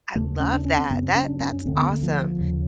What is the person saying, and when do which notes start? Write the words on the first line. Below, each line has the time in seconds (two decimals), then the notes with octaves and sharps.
I love that. That that's awesome.
0.15 D#2 C#3 A3
0.40 C#4
0.53 D4
0.65 C#4
0.78 C4
0.90 F#2 C#3 B3
1.03 C4
1.15 C#4
1.27 D4
1.41 C#4
1.52 C#4
1.65 D2 D3 C4
1.77 B3
1.90 A#3
2.03 F3
2.39 D#2 C#3